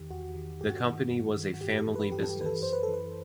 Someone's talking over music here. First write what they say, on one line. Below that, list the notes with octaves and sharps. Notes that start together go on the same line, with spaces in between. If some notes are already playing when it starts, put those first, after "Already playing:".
The company was a family business.
Already playing: E2 D#3 G4
E2 F#4
D#3
G2 G4
F#4
D#3 F#4
G2
D#3
F#4
G2 G4
A4
E3
B4
G2 G4
A4
G4
E3 B4
A4
F#2 C5
B4
E3 A4
B4